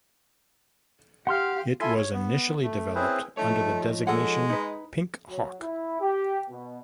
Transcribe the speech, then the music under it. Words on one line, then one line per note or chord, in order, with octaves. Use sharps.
It was initially developed under the designation Pink Hawk.
G4 F5 F#5 C6 F6
E4 F4 A4 E5 G#5 C6
C#5
B3
A3
C4 C#4 E4 G#4 B4 C5
F3 A3 D#4 C#5
G#3 A4 F#5
D#4 B4
F#3
E4
G4
B2